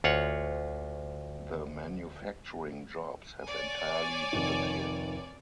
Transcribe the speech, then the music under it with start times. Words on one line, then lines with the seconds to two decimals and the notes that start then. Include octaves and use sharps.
The manufacturing jobs have entirely disappeared.
0.04 D2 F4 C#5 F#5
3.45 C#5 D5 G#5
4.33 F1 D#3